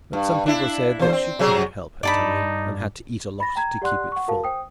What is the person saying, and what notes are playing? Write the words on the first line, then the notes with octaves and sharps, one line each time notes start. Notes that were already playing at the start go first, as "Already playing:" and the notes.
But some people said that she couldn't help her tummy, and had to eat a lot to keep it full.
G2
D4 E4
E2 C5
C4
C3 F#3 G#4
G2 D#4 D5 A5 B5
B5 A6 A#6
G5 A#5 G#6
G4 D5 F#5 C6 F#6
F#5 C#6
F#4 A#4 F5 A5
C5 G5 D#6